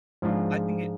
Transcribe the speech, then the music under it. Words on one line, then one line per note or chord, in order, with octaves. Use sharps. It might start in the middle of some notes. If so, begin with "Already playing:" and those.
I think it
G#2 F3 G#3 D4 F4